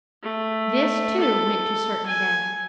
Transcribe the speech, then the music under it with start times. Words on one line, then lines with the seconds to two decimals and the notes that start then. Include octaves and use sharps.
This, too, went to certain death.
0.23 A3
1.20 A4
2.06 G#5